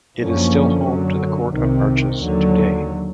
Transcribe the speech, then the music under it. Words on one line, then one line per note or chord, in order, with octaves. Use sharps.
It is still home to the Court of Arches today.
F#2 D3 F3 A#3 C#4
F#2 D3 F#3
C2 C3 D#3
D#2 D3 F#3